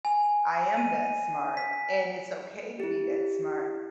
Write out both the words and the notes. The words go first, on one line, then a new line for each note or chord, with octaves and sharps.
I am that smart, and it's okay to be that smart.
G#5
D#7
B6
E4 G4